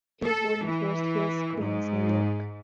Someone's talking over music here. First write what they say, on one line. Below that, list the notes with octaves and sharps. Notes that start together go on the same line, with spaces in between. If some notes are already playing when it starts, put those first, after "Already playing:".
He was born in Forest Hills, Queens, New York.
A4
E3
G#2